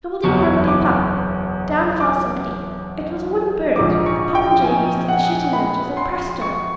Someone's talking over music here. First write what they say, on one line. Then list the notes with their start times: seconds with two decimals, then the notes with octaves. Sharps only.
"Kribledy, krabledy--plump!" down fell somebody: it was a wooden bird, the popinjay used at the shooting-matches at Prastoe.
0.23 F#1 E2 B2 F#3 C#6
0.68 D6
2.00 D6
3.76 A#1 G#2 F3 D6
4.06 C#6
4.35 G5
4.64 G#5
5.08 F#5
5.53 B5
5.97 C6
6.41 C#6